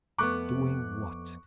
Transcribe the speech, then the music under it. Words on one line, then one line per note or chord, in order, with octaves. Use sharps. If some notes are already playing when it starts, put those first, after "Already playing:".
"Doing what?"
F2 A3 B3 C#6 D6 F#6